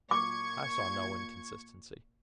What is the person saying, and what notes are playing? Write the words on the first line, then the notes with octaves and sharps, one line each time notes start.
I saw no inconsistency.
A#2 C#6 D6 G#6